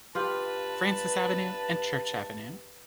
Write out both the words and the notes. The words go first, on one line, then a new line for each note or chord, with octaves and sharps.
Francis Avenue and Church Avenue.
G2 F4 G4 B4 F5 A5